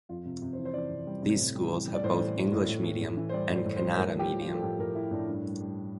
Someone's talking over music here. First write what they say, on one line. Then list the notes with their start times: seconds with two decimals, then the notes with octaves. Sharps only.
These schools have both English medium and Kannada medium.
0.09 F2 F4
0.25 C3
0.42 C3
0.53 C5
0.58 E3
0.65 C5
0.74 E3 D5
0.90 C3
1.07 G3
1.22 C3
1.38 A2
1.55 G3
1.71 E3
1.87 G3
1.94 D5
2.03 A2 C5
2.20 E3
2.36 E3
2.52 A2
2.69 A2
2.84 E3
3.01 A2
3.17 E3
3.29 C5
3.33 G3 D5
3.50 A2
3.55 C5
3.65 A2
3.76 C5
3.82 G3
3.97 A2 A#4
4.14 F3
4.19 G4
4.30 F3
4.41 F4
4.46 F3
4.54 A4
4.62 A2 G4
4.79 A2 A#4
4.95 F3 E4
5.11 A2 D4
5.28 G2
5.45 G3
5.60 G3